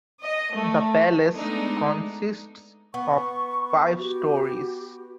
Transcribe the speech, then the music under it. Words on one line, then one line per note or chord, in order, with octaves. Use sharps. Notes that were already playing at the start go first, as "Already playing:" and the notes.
The palace consists of five stories.
D#5
A3
G#3 A3 B3 D4 D#4
B3 C#6
F#4 G4